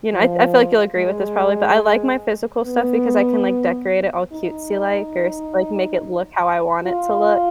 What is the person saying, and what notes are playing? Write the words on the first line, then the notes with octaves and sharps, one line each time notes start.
you know, I I feel like you'll agree with this probably, but I like my physical stuff, because I can, like, decorate it all cutesy like or s like, or make it look how I want it to look.
F3
G#3
B3
D#4
F4